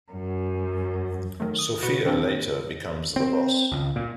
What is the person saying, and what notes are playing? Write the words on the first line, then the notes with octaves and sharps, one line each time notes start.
Sophia later becomes the boss.
F#2
D#3 F#3 A3
D#6
B2 F#4 B4 C#7
D#3 A#3 C4 D4
C4
C#2
A#2